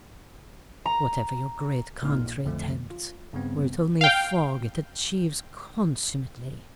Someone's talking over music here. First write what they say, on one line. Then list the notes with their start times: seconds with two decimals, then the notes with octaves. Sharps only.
'Whatever your great country attempts--were it only a fog--it achieves consummately.'
0.86 A#5
2.02 A#1 A#2 A3 B3 D#4 F6
2.18 A#1 A#2
2.44 B1 F2 D3 F3 A3
2.90 F4
3.33 G2 C#3 G3 B3 C4
4.01 F5 G5